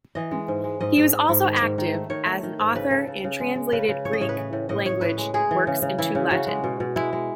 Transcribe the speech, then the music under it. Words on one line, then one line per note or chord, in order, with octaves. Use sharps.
He was also active as an author, and translated Greek language works into Latin.
E3 D#5
G#3
G#2
G#3
G#2 D#5
G#2
G#2
G#2
D#3
G#2
D#3
A3
D#3 C#5
A3
D#3
G#2
C#3 B4
C#3 A4
C#3
C#3
G#3
G#3
C#3 B4
C#3
A2 C#5
D#5
A2 C#5
B4
E3
A2
A2 D#5
A2 C#5
A2 B4
G#3
G#3 G#4
E3
C#3
C#3
E3 E4
C#3
C#3 F#4
G#3
B2
B2
G#3 E4
G#3